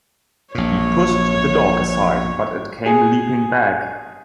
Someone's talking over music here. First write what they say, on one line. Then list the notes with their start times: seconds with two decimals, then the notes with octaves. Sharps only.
He pushed the dog aside, but it came leaping back.
0.55 A#1 A#2 C#5
2.86 G#4